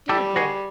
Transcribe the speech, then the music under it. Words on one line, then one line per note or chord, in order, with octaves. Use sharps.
Dear girl!
G3 G4 A4
F#4 G#4